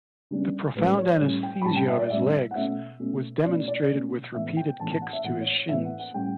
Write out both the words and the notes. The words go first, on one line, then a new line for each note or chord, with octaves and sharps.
The profound anesthesia of his legs was demonstrated with repeated kicks to his shins.
C#3 G3 B3 D4
A2 G3 C#4 B4
C#5
A2 G3 C#4
G5
B5
A2 G3 C#4 A5
G5
E5
D5
A2 G3 C#4 E5
F#5
B2 A3 C#4 E5
B2 A3 C#4
B2 A3 C#4 D5
D5
B2 A3 C#4
A2 E3 B3 E5
G5
A2 E3 B3 A5
A5
F#5
E5
A2 E3 B3 F#5
C#5
C#5
A2 E3 B3 E5
F#5
F#5
A2 G3 C#4 G5